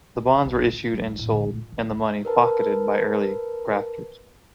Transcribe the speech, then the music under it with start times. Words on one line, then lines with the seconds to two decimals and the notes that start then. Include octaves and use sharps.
The bonds were issued and sold and the money pocketed by early grafters.
0.15 D#3
0.27 B3
0.45 B1
0.58 D4
0.72 G#2
0.92 G3
1.07 E4
1.19 A2
1.32 D3
1.46 A#2
1.72 D3
1.90 D#4
2.25 A#4 B4 A5